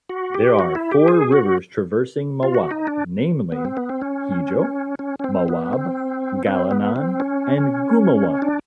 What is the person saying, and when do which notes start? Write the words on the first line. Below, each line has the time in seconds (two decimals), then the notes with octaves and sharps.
There are four rivers traversing Mawab, namely: Hijo, Mawab, Galinan, and Gumawan.
0.10 F#4
0.34 G4
0.59 F#4
0.75 E4
0.92 G4
1.08 G#4
1.32 F#4
2.43 F4
2.54 F#4
2.71 D#4
2.87 D4
3.52 B3
3.65 C4
3.77 B3
3.89 C4
4.01 C#4
4.99 C#4
5.19 C#4
5.24 C4
5.48 B3
5.73 C4
6.47 C4
6.71 B3
6.96 C4
7.20 C#4
8.42 D4